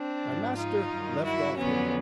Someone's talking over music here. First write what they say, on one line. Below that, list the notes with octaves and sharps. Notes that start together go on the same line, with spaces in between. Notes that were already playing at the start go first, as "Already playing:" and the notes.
My master left off hitting me.
Already playing: C4 D4
G#2 F3
D#4 F4
G2 D#3 F#3
E4 F#4
F2 D3 F#3 B3 C#4